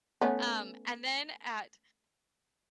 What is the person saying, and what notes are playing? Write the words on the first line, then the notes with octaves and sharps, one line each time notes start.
Um, and then at
A3 B3 C#4